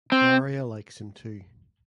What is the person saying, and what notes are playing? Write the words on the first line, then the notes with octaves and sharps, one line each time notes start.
Daria likes him too.
C4